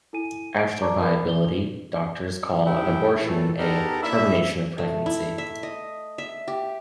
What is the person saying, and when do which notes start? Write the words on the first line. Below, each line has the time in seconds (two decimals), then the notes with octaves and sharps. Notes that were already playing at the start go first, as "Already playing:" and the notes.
After viability, doctors call an abortion a "termination of pregnancy".
0.13 E4 A4 G#5 D#7
0.59 D7
0.82 D5 A5 A#5 C#6 D6
1.01 A#4 B5
1.29 G7
2.66 G#2 C3 E4 G#4 G5
3.21 A#2 E3 A3 A4
3.58 B3 D#4 G4 A4 A#4
4.02 A#3 D4 E4 E5
4.78 A3
5.06 E4
5.38 E5
5.63 D#5
6.18 E5
6.48 G4